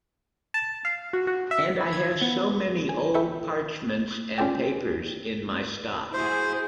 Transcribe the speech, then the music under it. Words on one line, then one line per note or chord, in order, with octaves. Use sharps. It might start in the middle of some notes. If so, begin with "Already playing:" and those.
And I have so many old parchments and papers in my stock.
A5
F5
F#4
F#4
E5
E4
G#6
B3
G#5
E4 A4 E5 G5 C#6 G6
C#4 F4 A4 D5 G5
E4 F#4 G#4 C5